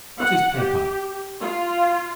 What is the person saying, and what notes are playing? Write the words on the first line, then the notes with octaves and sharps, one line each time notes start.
What is Pepper?
F#5
G4
F4